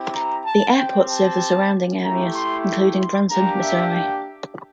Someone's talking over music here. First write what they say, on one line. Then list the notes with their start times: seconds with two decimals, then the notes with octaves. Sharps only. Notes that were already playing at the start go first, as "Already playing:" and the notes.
The airport serves the surrounding areas including Branson, Missouri.
Already playing: C4 E4 G4
0.13 A#5
0.45 A5
0.76 C4 G4 G5
1.08 A5
2.03 A3 E4 G4 A#5
2.34 C6
2.98 C6
3.29 A#3 D4 G4 A#5
3.61 E5
3.93 G5